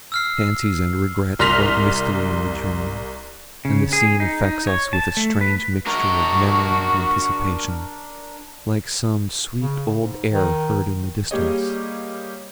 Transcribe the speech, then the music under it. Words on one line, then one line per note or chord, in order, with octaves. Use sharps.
Fancies and regrets float mistily in the dream, and the scene affects us with a strange mixture of memory and anticipation, like some sweet old air heard in the distance.
E6 F6 C7
C2 C6 F6 A#6 B6 F7
C#3
G#4
D#4
D#4
C#5
A5
A3
B4
D4 F#4 A#4
C#3
G#2
D#3
G3 A#3 G4 G#4 C#5 D#5